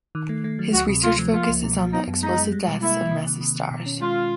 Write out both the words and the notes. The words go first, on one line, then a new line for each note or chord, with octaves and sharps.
His research focus is on the explosive deaths of massive stars.
D#3
A3
A3
F#3
D2 F#4
C3
A3 F4
F3
A#3 F4
C#2
B2
F#3
B3 D#4
F#2
G#3 D#4
G#3
G3
B2
A#3 E4
A#3
C3
D#3
C3
D#3
B2
C#4
G#3 F4
C#4